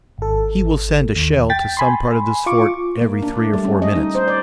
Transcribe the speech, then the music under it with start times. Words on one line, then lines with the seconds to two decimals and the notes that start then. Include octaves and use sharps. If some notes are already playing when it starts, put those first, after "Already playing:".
He will send a shell to some part of this fort every three or four minutes.
0.18 G#1 A4
1.16 D#2
1.50 G5 A6 B6
1.77 G#5 B5 C6
2.46 F4 C#6 D6
3.02 A#3
3.23 D4
3.37 A3
3.53 G3
3.65 C#4
3.82 D#5
3.95 D#4
4.15 C5
4.28 D5